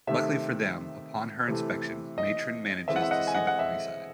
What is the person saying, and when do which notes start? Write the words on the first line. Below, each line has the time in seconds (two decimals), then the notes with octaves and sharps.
Luckily for them, upon her inspection, Matron manages to see the funny side.
0.07 C3 D#3 A3 E5
1.48 C3 E3 A3
2.18 D#5
2.88 E3 G#3 C4 E5
2.96 F#5
3.02 E5
3.11 D#5 F#5
3.27 G#5
3.34 D#5 F#5
3.47 F#5
3.59 E5